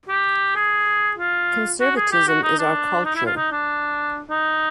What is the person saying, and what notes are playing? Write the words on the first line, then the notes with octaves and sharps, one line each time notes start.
Conservatism is our culture.
G4
G#4
F4
F#4
G#4
G4
F#4
D#4
D4
D#4
E4
F4
D#4
D4
D#4